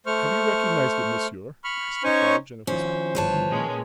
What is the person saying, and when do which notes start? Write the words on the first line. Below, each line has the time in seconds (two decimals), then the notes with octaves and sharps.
"Have you recognised him, monsieur?" asked Defarge in a whisper.
0.06 A3 C5 C#6 F6
1.64 B5 C#6 F6
2.04 C#4 D#4 C5 C#5 G#5 C#6
2.67 D#3 F3 C#4 C5
3.15 G1 B4 C#5 A5
3.50 A#2 G#3 C#4